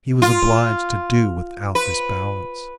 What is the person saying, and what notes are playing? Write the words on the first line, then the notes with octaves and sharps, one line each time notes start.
He was obliged to do without this balance.
F4
B4